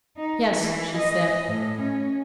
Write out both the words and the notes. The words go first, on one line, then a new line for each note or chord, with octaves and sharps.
"Yes," she said.
D#4
E3
D#5
A2
C#4